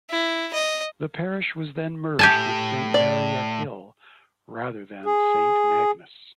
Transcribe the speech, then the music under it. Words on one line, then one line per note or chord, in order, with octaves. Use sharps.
The parish was then merged with Saint Mary at Hill rather than Saint Magnus.
E4
D#5
A2 G4 G#5 A5
D5
G#4